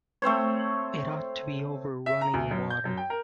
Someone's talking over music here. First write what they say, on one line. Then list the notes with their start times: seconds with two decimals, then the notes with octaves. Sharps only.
It ought to be over running water.
0.22 A3 C4 C5 C#5
2.06 E5
2.21 A#5
2.34 D2
2.51 F#2
2.70 G6
2.85 F#2
2.97 G5
3.10 A#4